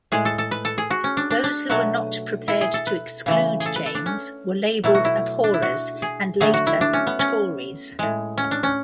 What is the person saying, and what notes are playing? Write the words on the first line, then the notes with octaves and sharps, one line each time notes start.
Those who were not prepared to exclude James were labelled "Abhorrers" and later "Tories".
A2 G#3 G#4
A4
A4
B4
A4
G#4
F#4
C#4
D4
D4
D4
B2 F#3 A3 F#4
E4
G#4
A4
B4
C#3 E3 A3
G#4
A4
B4
A4
D4
C#4
B2 F#3 A3 E4
F#4
E4
D4
E4
F#4
G#4
D3 F#3 A3 G#4
F#4
E4
D4
C#4
B3
C#4
A2 G#3
C#4
D4
C#4